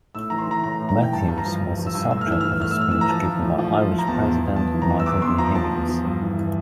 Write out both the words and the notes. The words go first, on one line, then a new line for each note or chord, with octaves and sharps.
Matthews, was the subject of a speech given by Irish President Michael D. Higgins.
A2 E6
E3 A#5
C6
E3 A#5
A2 A#5
A2
A#5
E3 G5
G2 A5
G2
A#5
F3
F3
G2
E6
G2
A2 E6
F6
E3 E6
E3 F6
E6
A2 F6
E6
A2 F6
E3 E6
A#5
F3 A5
F3
A2
F3
F3
F3
A#5
E2 A5
E2
E2
E2 A5
E3
A#5
E2
E6
E2 D6
E2 C6
F3 A#5
F3 A5
E2
F3
G2
E3
E3